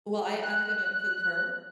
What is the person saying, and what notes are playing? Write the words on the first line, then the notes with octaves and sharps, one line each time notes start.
Well, I I'm gonna concur.
F#6